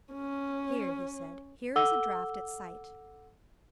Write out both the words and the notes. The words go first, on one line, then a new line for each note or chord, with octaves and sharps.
"Here," he said, "here is a draft at sight."
C#4
A4 F#5 D6 E6 G7